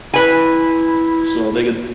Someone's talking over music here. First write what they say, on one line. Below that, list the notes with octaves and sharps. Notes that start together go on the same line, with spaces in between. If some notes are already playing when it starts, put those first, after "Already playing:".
So they could
E4 B4 G#5